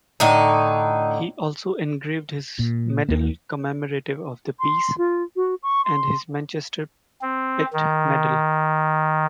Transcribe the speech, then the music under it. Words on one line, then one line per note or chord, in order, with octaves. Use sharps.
He also engraved his medal commemorative of the peace and his Manchester Pitt medal.
A2 D3 D#4
A#2
D#2 A#3
C6
F4
F#4
C#6
C6
C4
D#3